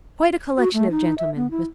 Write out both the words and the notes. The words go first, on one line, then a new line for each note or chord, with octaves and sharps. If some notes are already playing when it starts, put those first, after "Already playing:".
Quite a collection of gentlemen--Mr.
F#4
A3
D#4
E5
B3
E4